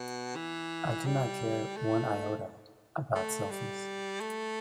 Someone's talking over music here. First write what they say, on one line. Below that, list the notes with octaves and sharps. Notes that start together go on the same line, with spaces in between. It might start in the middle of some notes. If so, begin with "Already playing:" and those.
I do not care one iota about selfies.
Already playing: B2
E3
G3
A3
A3
G3
A3